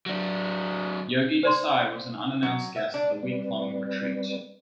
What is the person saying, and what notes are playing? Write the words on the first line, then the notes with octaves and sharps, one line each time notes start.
Yogi Desai was an unannounced guest at the week-long retreat.
F#3 D4
C5 D5 C6
F#3
E5
D4
G3 C4 B4 D5